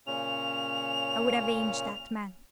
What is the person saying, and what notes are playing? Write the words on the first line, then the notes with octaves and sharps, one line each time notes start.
'I would avenge that man.'
A#2 C#3 C#4 F7